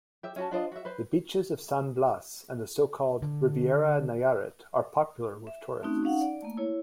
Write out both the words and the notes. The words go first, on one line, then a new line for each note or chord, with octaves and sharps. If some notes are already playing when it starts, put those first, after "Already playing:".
The beaches of San Blas and the so-called "Riviera Nayarit" are popular with tourists.
G4 E5
C#4 F#4 A5
D4 F4 C5 D#5
F#4 E5
B4 C5
D3
E5
A3 C4 C#4 D#4 F#4
C#4 D#4 F5 F#5
D5
A3 A#3
E4 C#5